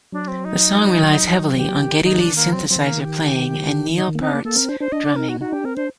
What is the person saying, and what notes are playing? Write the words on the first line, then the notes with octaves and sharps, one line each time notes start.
The song relies heavily on Geddy Lee's synthesizer playing and Neil Peart's drumming.
F#3 D4
C4
D#4
D#3 G4
F#3
D#3
D#3
D#3 D#4
F#3 D4
D#3
A#3
F#3 C4
F#3 C4
D#3
A#3
G4
D#4
D#3
A#3
C4 D#4
A#3 D4
A#3 A4
C4 A#4
D4 C5
D4 C5
D4 D#5
D5
D#4 A#4
F#4
D#4 F#4
D4 G4
C4 A#4
D4 C5